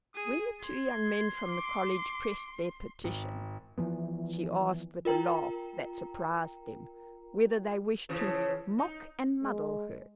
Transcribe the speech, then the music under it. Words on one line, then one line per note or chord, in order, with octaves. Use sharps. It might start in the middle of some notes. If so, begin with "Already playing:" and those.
When the two young men from the College pressed their petition, she asked, with a laugh that surprised them, whether they wished to "mock and muddle" her.
G#4 D#6
C6 G#6
D6
G#1
E3 F3 B3
F4 A#4 G5 A#5
C#3 E3 F3
D#4
G#3